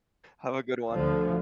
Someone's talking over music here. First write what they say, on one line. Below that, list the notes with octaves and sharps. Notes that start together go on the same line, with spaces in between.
Have a good one.
D2 D3 F3